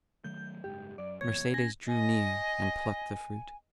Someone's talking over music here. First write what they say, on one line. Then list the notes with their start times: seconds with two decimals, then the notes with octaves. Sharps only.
Mercedes drew near, and plucked the fruit.
0.24 D#3 F#3 A3 G6
0.64 F#1 G#2 G4
0.98 F#2 D5
1.21 F1 E2 A#2 C#5 G#6
1.54 C#4 G#5 A#6
1.88 D#5 G#5